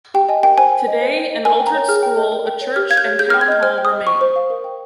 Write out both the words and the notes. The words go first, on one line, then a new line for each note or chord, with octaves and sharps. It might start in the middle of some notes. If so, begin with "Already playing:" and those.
Today, an altered school, a church and town hall remain.
G4 G5
D#5 G#5
A#4 G5
C5 G#5
G5
D#5
C5
G5
D#5
A#4 G#5
G5
A#5
C#5
G#4 F6
G5
D#5
A#4
G5
C#5
G4 F6
F5 G#6
G6
C#5
G#4 G6
F6
G5
G#6
D#5 G6
C5 F6
G5
D#6
D#5
C5 C#6
C5
F5
A#4
G5